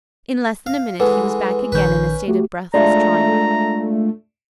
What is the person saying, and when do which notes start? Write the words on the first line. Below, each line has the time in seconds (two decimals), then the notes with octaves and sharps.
In less than a minute, he was back again in a state of breathless triumph.
0.67 F5
1.00 E3 G#3 A4 B4 F#5
1.72 A#1 D#3 C#4 B4 G6
2.28 A3 F#4 G4
2.74 G#3 A3 D4 F4 D5 E5 A#5